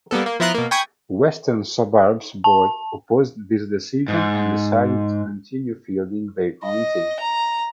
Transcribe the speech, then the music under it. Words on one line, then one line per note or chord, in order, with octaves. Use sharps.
Western Suburbs board opposed this decision and decided to continue fielding their own team.
G3 A#3 B3 A4
A#3
F3 B3 E4 A#5 C6 F#6
B2 A#3
G5 G#5 B5 C#6 D#6 G#6
A5
G#2
D#5
A#5